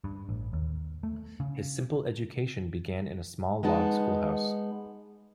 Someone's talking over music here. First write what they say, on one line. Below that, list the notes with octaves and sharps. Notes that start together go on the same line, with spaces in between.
His simple education began in a small log schoolhouse.
G2
A1
D#2
A3
C#3
G#3 B3 D#4 A5